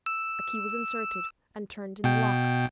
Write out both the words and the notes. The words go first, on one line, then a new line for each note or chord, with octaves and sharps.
A key was inserted and turned in the lock.
E6
B2 G5